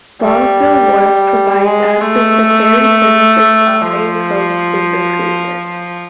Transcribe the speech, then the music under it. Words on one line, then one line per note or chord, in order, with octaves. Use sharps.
Longueville Wharf provides access to ferry services on Lane Cove River Cruises.
G3
G#3
A3
F3